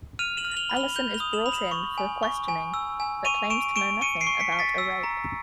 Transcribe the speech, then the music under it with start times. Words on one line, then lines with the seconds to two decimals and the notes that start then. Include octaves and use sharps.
Allison is brought in for questioning, but claims to know nothing about a rape.
0.19 F6 D#7 F7
0.37 E7 F#7
0.45 F6
0.51 F#7
0.57 F7 G7
0.70 B5
0.76 F7 G7
0.95 G6 F7 G7
1.14 F7 G7
1.20 D#6
1.33 E7 F#7
1.46 B5 F7
1.52 E7 F#7
1.71 C#6
1.98 G#5
2.23 C#6
2.48 G#5
2.74 E6
3.00 G#5
3.25 C#6 D#7 F7
3.50 C#6 D7 E7
3.76 C#6 D7 E7
4.01 C#6 C#7 D#7
4.21 C7 D7
4.27 C#6
4.40 B6 C#7
4.52 C#6
4.59 A6 B6
4.78 E6
5.03 A#5